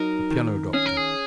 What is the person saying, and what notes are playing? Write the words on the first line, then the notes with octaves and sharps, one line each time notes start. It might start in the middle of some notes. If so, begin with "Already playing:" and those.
The "Piano Doctor."
Already playing: F#3 D#4 A#4
D#3
C#4 G#4
A#4
G#4